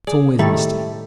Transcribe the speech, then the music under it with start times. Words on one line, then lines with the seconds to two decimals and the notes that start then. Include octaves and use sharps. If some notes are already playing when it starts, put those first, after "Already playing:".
That's always a mistake.
0.07 G#4 D5
0.39 A2 D#3 G3 A3 A4